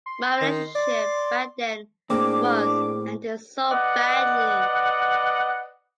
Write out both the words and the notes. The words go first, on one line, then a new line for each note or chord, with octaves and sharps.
My relationship back then was ended so badly.
C6
D#3
D5
A2 A#3 C4 D4 G#4 D6
B4 D5 D#5 F#5